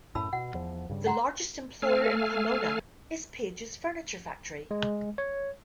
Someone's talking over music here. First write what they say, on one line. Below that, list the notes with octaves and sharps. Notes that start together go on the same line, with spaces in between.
The largest employer in Pomona is Pages Furniture Factory.
F#2 A2 A5 B5 E6
B2 F#5
E2 F3
G2 C#3 G3
F#5 A#5 C6
A3 A4 F5 G#5 F6
G#3
C#5